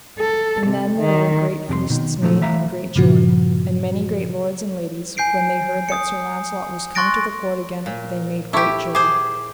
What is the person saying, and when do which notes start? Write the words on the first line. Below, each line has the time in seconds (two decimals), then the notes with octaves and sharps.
And then there were great feasts made and great joy; and many great lords and ladies, when they heard that Sir Launcelot was come to the court again, they made great joy.
0.19 A4
0.67 C3
0.98 D#3
1.68 F2 C3 G4 C6
1.90 B2 D#3
2.22 A#2 C#3 F3 F#3 A3
2.41 E3 A3 E5 F5 A#5
2.96 G2 A#2 C#3 F3 F#4
5.17 G#5 G6 C7 D7
5.89 D#6 C#7
6.95 C6 C#6 F#6 A6 A#6 D7
7.86 A#2
8.53 E4 G4 A4 C#6 D6
8.95 G#4 C5 D6